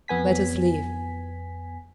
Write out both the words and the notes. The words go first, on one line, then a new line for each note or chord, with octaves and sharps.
Let us live.
F2 B3 G#5 B6